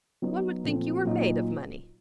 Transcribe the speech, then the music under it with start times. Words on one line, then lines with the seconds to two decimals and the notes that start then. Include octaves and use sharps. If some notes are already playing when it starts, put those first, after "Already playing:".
One would think you were made of money.'
0.22 F#3 B3 D#4
0.64 A#2 F3 A3 C4
1.05 A#2 F#3 A#3 D#4